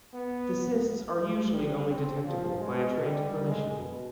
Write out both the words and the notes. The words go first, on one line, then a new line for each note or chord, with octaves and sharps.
The cysts are usually only detectable by a trained clinician.
B3
G3
C4
F3
G#3
G3
G#3
B2